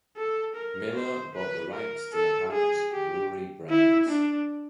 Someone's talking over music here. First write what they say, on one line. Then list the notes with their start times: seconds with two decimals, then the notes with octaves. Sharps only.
Miller bought the rights to the Hamm's Brewery brands.
0.17 A4
0.56 A#4
0.95 C5
1.35 B4
1.73 A#4
2.13 A4
2.52 G#4
2.91 G4
3.70 E4
4.09 D4